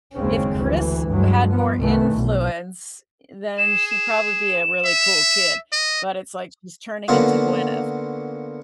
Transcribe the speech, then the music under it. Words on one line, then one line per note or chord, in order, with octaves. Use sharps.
if Chris had more influence, then she'd probably be a really cool kid, but it's like she's turning into Gwyneth.
F#1 D#2 C#3 G#3 C4 C#4
D2 E3
G2 F#3 G#3
F3 B3
C2 G2 D#3 E3 A3
B1
G#4 E7
E7
E5
D#5
D3 A#3 B3 C#4 F4 F#4